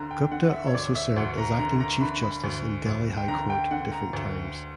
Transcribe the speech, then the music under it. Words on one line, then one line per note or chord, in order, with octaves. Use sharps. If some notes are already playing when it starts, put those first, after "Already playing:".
Gupta also served as acting Chief Justice in Delhi High Court different times.
Already playing: D2 D3 A#5
G5
D3 F#5
F#5
E5
C#5
D2 D5
E5
D2 F#5
A#5
D3 A#5
A#5
D3 B5
B5
D2
D2
G5
D3 A#5
G5
D3 F#5
A#5
D2